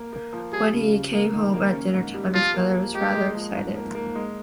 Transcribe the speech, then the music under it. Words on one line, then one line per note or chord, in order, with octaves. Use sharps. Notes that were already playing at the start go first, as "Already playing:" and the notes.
When he came home at dinner-time his mother was rather excited.
Already playing: A#3
A#3
F3
G3 G#4
C#3
C#3
A#3
D#3
A#3
C#4
G#2
G3
F3 F4
A#3
A#3
G#3 G4
G#3
F3
G#2
A#3
A#3
G#3